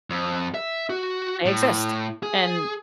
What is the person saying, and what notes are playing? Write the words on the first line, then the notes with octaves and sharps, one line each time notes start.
they exist, and
F2
E5
F#4
A2
G#4